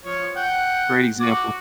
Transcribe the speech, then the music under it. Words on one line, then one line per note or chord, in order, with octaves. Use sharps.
great example.
F3 C#5
F#5 G5
F#4 D6